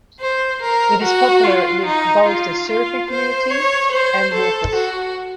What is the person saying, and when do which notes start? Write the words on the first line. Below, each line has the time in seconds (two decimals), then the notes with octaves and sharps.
It is popular with both the surfing community and walkers.
0.21 C5
0.62 A#4
1.03 F#4
1.44 F4
1.86 D#4
2.27 F4
2.68 F4
3.10 C5
3.51 C#5
3.93 C5
4.34 A4
4.75 F#4